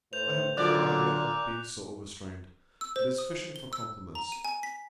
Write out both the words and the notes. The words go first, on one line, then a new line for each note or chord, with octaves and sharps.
I have no idea of being so overstrained! It is fishing for compliments.
A2 B4 C5 G6 F7
A#2 D3 F#3 D5 D6 F#6
E6
C5
D#6
G7
E6
A#5
D#7
G#5
B6